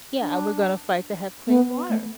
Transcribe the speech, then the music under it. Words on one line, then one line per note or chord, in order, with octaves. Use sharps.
Yeah, and we're gonna fight to have clean water,
D4
B3
A3